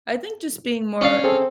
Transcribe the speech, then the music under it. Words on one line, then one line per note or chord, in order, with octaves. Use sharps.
I think just being more
C#4 D4 D5 F5
C4 G#4 A4